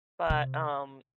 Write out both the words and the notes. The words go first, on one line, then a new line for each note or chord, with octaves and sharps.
But, um
C3